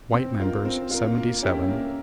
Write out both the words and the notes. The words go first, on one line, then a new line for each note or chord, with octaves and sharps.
White members, seventy-seven.
C4
F4 A#4
C4
F4 A#4
A#3
C#4 E4 G4 A#4
A#3